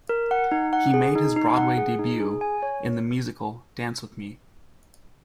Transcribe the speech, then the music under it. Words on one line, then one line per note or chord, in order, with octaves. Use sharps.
He made his Broadway debut in the musical "Dance with Me".
A#4
F#5
D#4
F#5
G#4
D#4
D#4
F#5
G#4
D#4
G#4
G#5
C#5